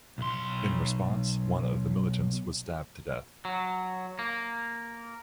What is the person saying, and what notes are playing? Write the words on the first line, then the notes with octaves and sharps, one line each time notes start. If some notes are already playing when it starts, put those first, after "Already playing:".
In response one of the militants was stabbed to death.
B1 C6
F#3
A#3